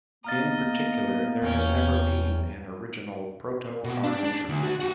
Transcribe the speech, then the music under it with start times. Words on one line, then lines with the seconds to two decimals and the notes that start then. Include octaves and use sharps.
In particular, there has never been an original "Proto-High German".
0.24 A#3 B3 D#5 A#5 F6 A6
1.42 E2 C#4 G5
3.84 B2
4.03 D4
4.24 D4
4.49 D2
4.63 F#4 C6
4.80 G4 F#5